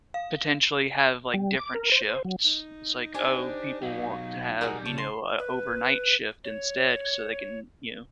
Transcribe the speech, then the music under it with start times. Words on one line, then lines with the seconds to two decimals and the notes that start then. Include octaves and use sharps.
potentially have, like, different shifts. It's like, oh, people want to have, you know, a overnight shift instead so they can, you know,
0.14 F5
1.34 G3
1.57 D6
1.75 A#4
1.92 C5
2.09 C5
2.25 F#3
2.45 D#4
3.14 D4 G4 C5 G#5 D6
3.83 B2 F#3 F5
4.61 B1 G3 F#4 G#4 A#4
4.86 C#3 C#5 A5
4.98 C6
5.39 B4
6.44 C#5